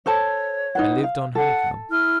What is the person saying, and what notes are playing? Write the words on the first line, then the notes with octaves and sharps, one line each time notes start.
I lived on honeycomb.
A4 C5 C#5 A5
D#4 B4 F#5
F5
A4 F#5
E4 F6